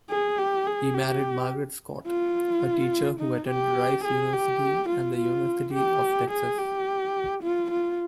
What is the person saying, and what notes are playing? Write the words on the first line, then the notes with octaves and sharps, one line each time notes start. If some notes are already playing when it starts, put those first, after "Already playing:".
He married Margaret Scott-a teacher who attended Rice University and The University of Texas.
G#4
G4
G#4
G4
F4
D#4
G4
G#4
G4
F4
F4
G4
G#4
G4
F4
F4